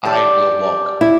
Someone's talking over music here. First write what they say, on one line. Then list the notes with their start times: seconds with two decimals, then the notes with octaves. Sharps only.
I will walk
0.05 G4 D5 A5
1.01 E4